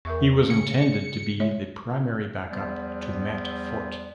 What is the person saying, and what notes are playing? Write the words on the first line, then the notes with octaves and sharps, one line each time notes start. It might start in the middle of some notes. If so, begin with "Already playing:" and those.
He was intended to be the primary backup to Matt Forte.
E2 A#4 E5 C#6
C#3 A#3 C#7
G#3 C#5 E5
E2 F3 G3 B3